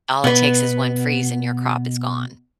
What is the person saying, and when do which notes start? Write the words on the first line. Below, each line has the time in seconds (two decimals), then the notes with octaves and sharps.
all it takes is one freeze, and your crop is gone.
0.24 B2 B3 B4